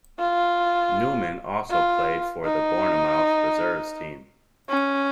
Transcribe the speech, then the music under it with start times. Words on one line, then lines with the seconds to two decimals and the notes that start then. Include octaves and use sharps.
Newman also played for the Bournemouth reserves team.
0.20 F4
1.70 F4
2.45 D#4
4.69 C#4